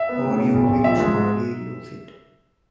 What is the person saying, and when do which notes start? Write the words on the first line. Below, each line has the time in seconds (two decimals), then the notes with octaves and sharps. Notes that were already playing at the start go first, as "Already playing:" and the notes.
Or you will surely lose it.
Already playing: E5
0.09 B3
0.24 A2
0.39 B2
0.54 B1
0.69 B1
0.84 F3 E5
1.00 G#3
1.14 G#2